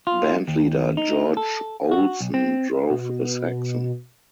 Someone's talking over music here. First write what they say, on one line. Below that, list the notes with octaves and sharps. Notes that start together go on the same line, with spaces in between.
Band leader George Olsen drove a Saxon.
F4
D#2
D#4
A4
F#4
B1
C4
B2